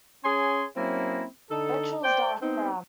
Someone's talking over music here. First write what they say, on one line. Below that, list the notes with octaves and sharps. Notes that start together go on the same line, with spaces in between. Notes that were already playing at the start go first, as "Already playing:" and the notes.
Ventrals dark brown.
C#4 G#4 C#5 G#5 C6
F#3 A#3 C4 C#4 E4
D3 D#4 A4
C5 D5 G5
B3 C4 D#4